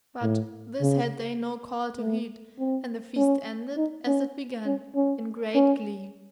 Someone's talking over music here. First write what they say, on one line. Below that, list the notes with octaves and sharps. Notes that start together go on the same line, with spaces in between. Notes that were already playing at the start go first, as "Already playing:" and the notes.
But this had they no call to heed, and the feast ended, as it began, in great glee.
A2
C#3
A3
C4
C#4
D#4
C#4
C#4
C#4
C#4